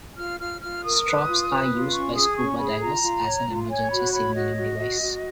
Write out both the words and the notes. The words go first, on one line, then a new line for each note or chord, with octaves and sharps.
Strobes are used by scuba divers as an emergency signaling device.
F4 F6
F4 F6
F4 F6
A#4 D#6
B4
F4
B4
F4
C#4 C#6
G#4 D#6
C#4 C#6
G#4 B5
F4 A#5
F4
C#5
F4
C#5 G#5
F#4 B5
C#5 B5
F#4 D#5
F#4
F#4
F#4